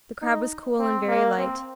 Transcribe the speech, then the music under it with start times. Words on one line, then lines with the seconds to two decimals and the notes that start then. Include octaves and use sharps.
The crab was cool and very light.
0.22 D#4
0.79 C4
1.08 A#3
1.38 C4